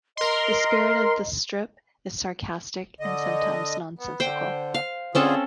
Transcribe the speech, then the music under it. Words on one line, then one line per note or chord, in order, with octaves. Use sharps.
The spirit of the strip is sarcastic, and sometimes nonsensical.
A#4 D#5 C6
D3 D#5
B3
D3 C5 G5
F5
D3 C4 C#4 F4 G#4 A4